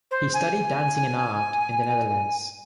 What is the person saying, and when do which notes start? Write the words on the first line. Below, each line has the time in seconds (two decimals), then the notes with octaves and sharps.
He studied dancing and art in the Netherlands.
0.11 C5
0.34 G#5